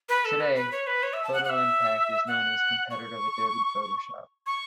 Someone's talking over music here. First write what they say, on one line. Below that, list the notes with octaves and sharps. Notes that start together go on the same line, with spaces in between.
Today, PhotoImpact is known as a competitor of Adobe Photoshop.
B4
A4
B4
B4
C#5
B4
C#5
E5
A5
F#5
F#5
E5
F#5
C#6
C#6